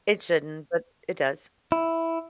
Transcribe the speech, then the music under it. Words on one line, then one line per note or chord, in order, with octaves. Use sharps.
It shouldn't, but it does.
E4